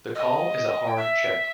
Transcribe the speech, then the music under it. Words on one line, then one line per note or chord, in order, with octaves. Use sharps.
The call is a hard "check".
D#5
G5
E5